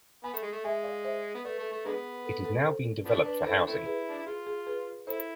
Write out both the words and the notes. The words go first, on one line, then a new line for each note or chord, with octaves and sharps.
It is now being developed for housing.
B3 G#5 B5
A3
G#3
A3
G#3 E5 G#5
D5 F5
C5 E5
B3
A3 B4 D5
A3
A3
D3 G#3 B3 G#4 B4
A4
A4
A4 C5
F3 B3 D4
B4 D5
E4 A4 C5
D4
A3 C4 E4
G#4 B4
D4
E4
F4 G#4
G#4
G#4 B4
E4 A4 C5